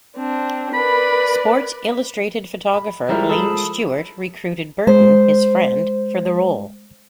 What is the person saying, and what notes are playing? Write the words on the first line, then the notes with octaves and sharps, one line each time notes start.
"Sports Illustrated" photographer Lane Stewart recruited Berton, his friend, for the role.
C4 D4
A#4 B4 D5 B5
B5
F3 G3 G#3 E4 A#4 A#5
A4 A5 B5 D#6
G#3 C5